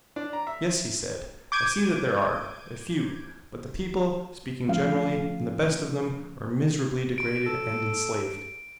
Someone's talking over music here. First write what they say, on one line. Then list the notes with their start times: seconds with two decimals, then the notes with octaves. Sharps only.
Yes, he said, I see that there are--a few; but the people, speaking generally, and the best of them are miserably degraded and enslaved.
0.16 D4
0.33 A#5
0.47 E5
1.52 D6 G6 G#6 D7 D#7
4.68 F3 A3 C#4 F5
7.18 D7
7.46 A4